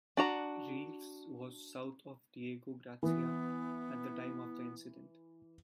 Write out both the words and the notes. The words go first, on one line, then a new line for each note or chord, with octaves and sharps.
"Reeves" was south of Diego Garcia at the time of the incident.
D4 F#4 A#5
E3 B3